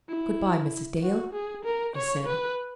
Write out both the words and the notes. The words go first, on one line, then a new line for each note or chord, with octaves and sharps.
"Good-by, Mrs. Dale," he said.
E4
F#4
G#4
A#4
C#5
B4